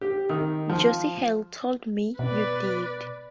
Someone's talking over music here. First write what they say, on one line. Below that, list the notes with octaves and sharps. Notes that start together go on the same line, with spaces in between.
Josie Hale told me you did.
G4
D#3
F3
B2 B4 D5